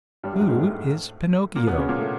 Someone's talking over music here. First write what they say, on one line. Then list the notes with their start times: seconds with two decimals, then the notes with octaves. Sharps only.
"Who is Pinocchio?"
0.23 G2 G3
0.33 F#2 F#3
0.41 G2 G3
0.49 G#2 G#3
0.57 A2 A3
1.56 A#2 A#3
1.67 B2 B3
1.78 C#3 C#4
1.89 A#2 A#3
1.99 A2 A3